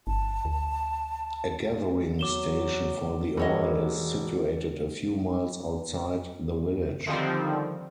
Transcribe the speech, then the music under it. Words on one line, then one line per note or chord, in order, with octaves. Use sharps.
A gathering station for the oil is situated a few miles outside the village.
G1 A5
D2
F#3 D6 E7 G7
E1 F#4 C#5 D#5
D3 D#3 F3 G3 C4